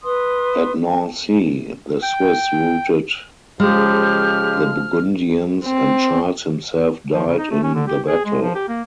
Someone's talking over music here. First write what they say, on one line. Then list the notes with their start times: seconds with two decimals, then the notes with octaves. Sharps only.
At Nancy, the Swiss routed the Burgundians, and Charles himself died in the battle.
0.03 B4 C6 D#6
2.02 G5
3.60 C#3 F3 G#3 G4 F6
5.65 C4
7.14 F3
7.26 C#3
7.39 D#4
7.51 A3
7.63 C#4
7.75 D3
7.87 G4
8.08 G#4
8.25 G#3
8.41 F3
8.55 G4
8.68 A#3